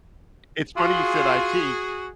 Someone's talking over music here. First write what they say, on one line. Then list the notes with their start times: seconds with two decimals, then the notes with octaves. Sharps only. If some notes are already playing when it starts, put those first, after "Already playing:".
It's funny you said IT.
0.77 F4 F#4 G#4